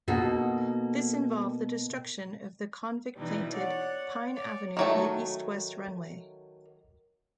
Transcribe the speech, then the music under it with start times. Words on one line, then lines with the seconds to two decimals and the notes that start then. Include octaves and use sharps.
This involved the destruction of the convict-planted Pine Avenue for the east-west runway.
0.08 B2 A#3 D#4 F#4 A4
3.15 B2 E3 G3 D#4
3.54 C#5 D5 F#5
4.31 C#5 D5
4.77 D#3 F#3 A3